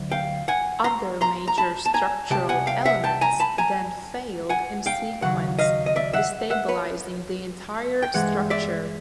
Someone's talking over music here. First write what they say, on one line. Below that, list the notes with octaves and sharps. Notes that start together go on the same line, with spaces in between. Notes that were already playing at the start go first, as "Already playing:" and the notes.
Other major structural elements then failed in sequence, destabilising the entire structure.
Already playing: D2 F#3
F5 G5
F#5 G#5
A#5 C6
A#5 C6
A#5
A5 B5
A5
G#5 A#5
C2 C3 G5 A5
F#5 G#5
F5 G5
E5 F#5
G5 A5
G#5 A#5
A5 B5
G#5 A#5
F#5 G#5
F5 G5
D#2 C#3 F#3 F#5
D#5 F5
D#5
D5 E5
E5 F#5
E5 F#5
B4 C#5
G5
G2 E3 G#3 F#5
D5 E5